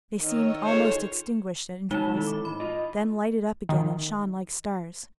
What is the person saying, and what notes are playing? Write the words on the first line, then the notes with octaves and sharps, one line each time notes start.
They seemed almost extinguished at intervals, then lighted up again and shone like stars.
D#3 C#5 D#5 E6
F4 G#4 A4 C5 C#5
B2 G#3 D#4 A5 G7
D#3 E4 A4
D6
G#2 B5
F4 D#5
D#3